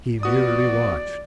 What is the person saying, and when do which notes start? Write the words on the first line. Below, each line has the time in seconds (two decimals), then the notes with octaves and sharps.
He merely watched.
0.23 B3 F#4 D5 D#6